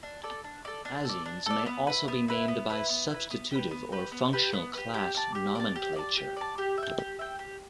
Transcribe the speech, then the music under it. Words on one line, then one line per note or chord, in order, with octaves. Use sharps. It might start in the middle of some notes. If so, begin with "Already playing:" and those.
Azines may also be named by substitutive or functional class nomenclature.
D4
A4 D5
D4
A4 D5
D4
A4 D5
D4
A4 D5
B3
E4 B4
B3
E4 B4
B3
E4 B4
B3
E4 B4
B3
G4 B4
B3
G4 B4
B3
G4 B4
B3
G4 B4
G4
D5 A5
G4
D5 A5
G4
D5 A5
G4
D5 A5
G4
E5
G5
G4
E5 G5
G4